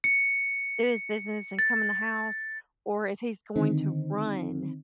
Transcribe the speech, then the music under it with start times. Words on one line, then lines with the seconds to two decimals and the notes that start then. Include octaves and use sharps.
do his business and come in the house or if he's going to run
0.04 C#7
1.59 A6
3.55 D3 D#3 C4 D#4